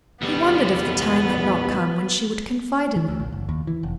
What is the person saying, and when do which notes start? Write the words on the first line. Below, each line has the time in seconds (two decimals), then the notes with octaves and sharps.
He wondered if the time had not come when she would confide in him.
0.22 E2 G3 B3
2.96 E3
3.08 D2
3.20 A#1
3.32 F#1
3.49 D#2
3.67 E3
3.83 F1